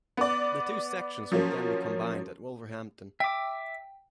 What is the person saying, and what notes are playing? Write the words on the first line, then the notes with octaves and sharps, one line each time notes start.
The two sections would then be combined at Wolverhampton.
B3 D5
F3 F#3 A#3 C#4
E5 G5 D6